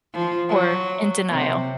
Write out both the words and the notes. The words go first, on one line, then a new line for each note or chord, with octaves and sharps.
or in denial?
F3
F#3
C3